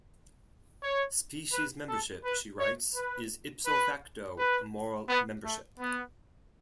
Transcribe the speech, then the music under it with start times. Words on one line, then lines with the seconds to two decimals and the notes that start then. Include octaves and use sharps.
Species membership, she writes, is "ipso facto" moral membership.
0.82 C#5
1.53 B4
1.89 A4
2.25 B4
2.60 C#5
2.96 B4
3.66 B4
4.38 B4
5.09 B3
5.45 A3
5.80 B3